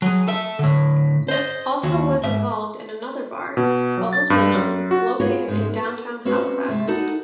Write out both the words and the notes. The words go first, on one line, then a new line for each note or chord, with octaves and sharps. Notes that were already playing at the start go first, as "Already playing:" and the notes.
Smith also was involved in another bar, "Bubbles' Mansion", located in Downtown Halifax.
F#3 G#4
A4 E5
A2 D3
C5 D#5
D#2 F#4
G#2 E5
B2
F#3
A6
G2
F#2
F#4
F4 F#4 G#4 A#4 B4 C#5
G#2 C3 G#3 C#4
B3 A4
C4 C#4 F#4 B4 C5
C3 G#3 A3
D#4 E4 F#4 A4 A#4 D5